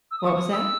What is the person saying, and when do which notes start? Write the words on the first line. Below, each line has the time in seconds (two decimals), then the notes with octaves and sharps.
What was that?
0.11 E6
0.19 D#6
0.26 C#6
0.33 D#6
0.53 E6